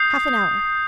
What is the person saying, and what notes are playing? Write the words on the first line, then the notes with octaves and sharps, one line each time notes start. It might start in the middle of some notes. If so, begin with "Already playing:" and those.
"Half an hour."
Already playing: D#6 G6 C7